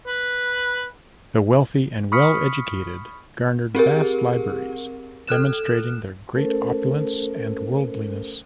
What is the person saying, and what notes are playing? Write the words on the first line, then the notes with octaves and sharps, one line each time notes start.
The wealthy and well educated garnered vast libraries, demonstrating their great opulence and worldliness.
B4
B5 C#6 D#6 F6 B6 C#7
C4 G4 G#4 A#4
A4 F6 F#6 E7
A3 C#4 A4 A#4 C5